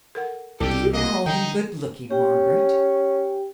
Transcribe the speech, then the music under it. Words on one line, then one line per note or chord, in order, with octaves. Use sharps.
Do you call him good looking, Margaret?'
A4 A#4 F#5
C2 B2 E4 G4 A4 D5
A#3 F#4 G#4 D#5
D3 D#4 G5
C#4 G4 G5